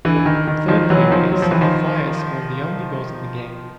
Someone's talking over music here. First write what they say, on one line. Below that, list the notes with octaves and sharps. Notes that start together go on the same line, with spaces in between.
The third period saw the Flyers score the only goals of the game.
D3 E3
D3
D#3
D#3
D#3 F3
E3 F#3
D#3 F3
F#3
F3
E3
D#3 F3